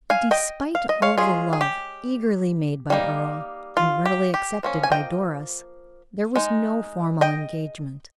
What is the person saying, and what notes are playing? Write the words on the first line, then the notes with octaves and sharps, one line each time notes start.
Despite all the love eagerly made by Earle, and readily accepted by Doris, there was no formal engagement.
F5 G#5
D#5 G5
F5
D#5
C#5 F5
G#3 C#4 F4 G#4
G#4
G4
G3 A#3 D#4
F4
G4
G4
F3 A#3 C#4
G#5
D#5 G5
G#3 D#4
D#5 G5